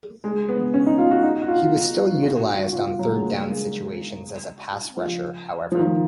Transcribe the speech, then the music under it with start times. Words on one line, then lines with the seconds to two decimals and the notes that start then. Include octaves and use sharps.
He was still utilized on third-down situations as a pass rusher, however.
0.24 G#3
0.49 B3
0.74 C#4
0.86 D#4
0.98 F4
1.11 F#4
1.23 D#4
1.42 F#4
1.48 F4
2.23 F#4
2.40 F#4
2.56 F#4
2.66 F#4
2.72 F4
2.99 F#3
3.06 G#3
3.22 A#3
3.30 G#3
3.39 A#3
3.48 G#3
4.97 F3
5.72 F3
5.79 D#3
5.86 F3